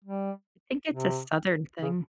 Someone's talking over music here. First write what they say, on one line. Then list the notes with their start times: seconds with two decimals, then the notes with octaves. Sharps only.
I think it's a Southern thing.
0.04 G3
0.93 C3
1.82 C#3